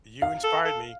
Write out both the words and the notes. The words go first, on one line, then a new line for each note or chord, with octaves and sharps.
You inspired me.
F5
A4
A4